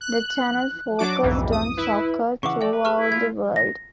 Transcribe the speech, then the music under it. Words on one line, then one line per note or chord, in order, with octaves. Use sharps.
The channel focused on soccer throughout the world.
F#6
F#3 D4 F#4 D6
B1 F2 G#2 E3
D#6
E4 B4
C#3 E3 F#5 C#6 D6
A3 D5 E5 G5 D6
B4
G#4 C#6 F6
E4
A3 F4 G#6
A#6